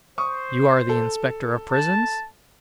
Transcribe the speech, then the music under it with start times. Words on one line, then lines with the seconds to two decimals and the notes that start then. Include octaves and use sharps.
"You are the inspector of prisons?"
0.18 C5 C#6 D#6
0.89 A4
1.70 A5